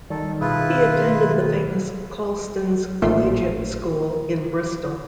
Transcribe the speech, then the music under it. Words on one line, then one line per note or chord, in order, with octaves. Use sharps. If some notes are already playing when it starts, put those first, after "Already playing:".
He attended the famous Colston's Collegiate School in Bristol.
D#3 G3 A4
B2 E4 F4 G#4 B4
A1 A#2 D#3 A3 C6